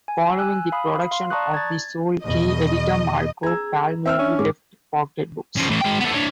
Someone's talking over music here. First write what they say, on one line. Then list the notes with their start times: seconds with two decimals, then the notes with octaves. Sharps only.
Following the production of "The Soul Key", editor Marco Palmieri left Pocket Books.
0.08 G#5
0.39 G#5 E6 F#6
0.72 F5 B5 D#6
1.11 F5 C6
1.30 D5 A5 A#5 C#6 D#6 F#6
1.54 G#6 A6
2.24 E2 B2 D#5
3.43 G#4 A#5 E6 G#6
4.06 C4 E5 G5 E6 F6
4.19 C#4 D4
4.39 G#2 G#3 D6
5.57 C#3 F3
5.70 A2 E3
5.81 G#3 G5
6.00 A3 B3
6.14 D4 C#5